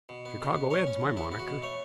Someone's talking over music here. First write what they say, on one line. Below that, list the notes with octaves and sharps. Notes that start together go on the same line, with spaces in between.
"Chicago Ed.'s my monaker."
B2
B3
B2
B3
C#4 C#5
C#4
E2
B3 E4
B3
F#4
B2
A3 C#5